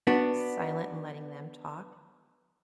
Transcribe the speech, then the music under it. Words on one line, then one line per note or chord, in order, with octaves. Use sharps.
silent and letting them talk
B3 D4 F#4